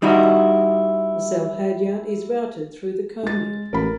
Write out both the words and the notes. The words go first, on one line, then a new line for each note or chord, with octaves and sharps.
The sail halyard is routed through the coaming.
G3 D#4 E4 F#4
G#3 A6
A1 A#4 B5